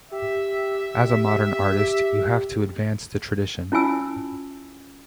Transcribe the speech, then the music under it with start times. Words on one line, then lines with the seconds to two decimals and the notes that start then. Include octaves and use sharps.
As a modern artist you have to advance the tradition.
0.11 G4 E5
3.72 C#4 E4 F4 G#5 E6